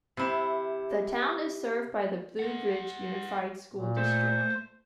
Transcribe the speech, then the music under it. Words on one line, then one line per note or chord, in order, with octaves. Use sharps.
The town is served by the Blue Ridge Unified School District.
C3 E4
G#4 F#5
A#2
A3 C5